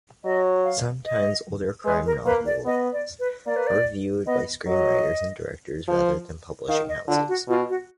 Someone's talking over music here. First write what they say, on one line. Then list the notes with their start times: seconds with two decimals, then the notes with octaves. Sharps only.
Sometimes older crime novels are revived by screenwriters and directors rather than publishing houses.
0.24 F#3 D#5
0.64 F5
1.05 D#5
1.85 G#3 B4
2.06 A#4
2.25 A#3 B4
2.46 D5
2.65 B3 D#5
2.93 D5
3.20 B4
3.46 A#3 D5
3.56 B4
3.67 D5
4.26 B3 D#5
4.66 F#3 D#5
5.88 F3
6.69 D#3 F5
6.89 D#5
7.08 D3 F4
7.28 F#4
7.48 B2 F4
7.69 F#4